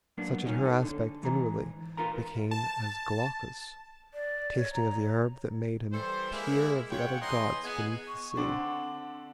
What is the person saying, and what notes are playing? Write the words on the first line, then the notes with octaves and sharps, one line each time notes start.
Such at her aspect inwardly became As Glaucus, tasting of the herb that made him Peer of the other gods beneath the sea.
F#3 A#3 B3 D4
F2 G3 C#4 D#4
A4
D3
G#2 E3 A#5
F4 A#4 B4 A#5
A5
D5
C#5
A#5
E3 G3 A4 C5
G#3 A#3 E4
G#3 F4 C#5 F#5 G5
E3 B3 D#5 G#5 A#5 C6
B3 G#4 D#5 F#5 G#5
C#6
D3 C4 D4 F#5